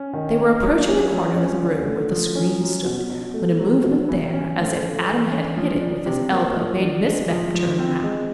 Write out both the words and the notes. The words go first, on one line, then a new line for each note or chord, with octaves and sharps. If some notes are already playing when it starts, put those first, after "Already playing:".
They were approaching the corner of the room where the screen stood, when a movement there as if Adam had hit it with his elbow made Miss Mapp turn round.
Already playing: C#4
D#3
A#3
F#3
C#4
F3
C#4
D3
A3
F3
C#4
F#3
B2
B2
A3
F#3
B2
E3
C#4
A2
A3
E3
C#4
F3
D4
C3
A#3
F3
D4
G#3
F3
F3
C4
G#3